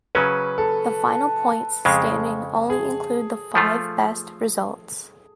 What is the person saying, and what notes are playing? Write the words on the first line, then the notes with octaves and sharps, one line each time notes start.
The final points standings only include the five best results.
C#3 F#3 C#4 B4
A4
F2 C#3 G#3
G#4
F3 A3 F4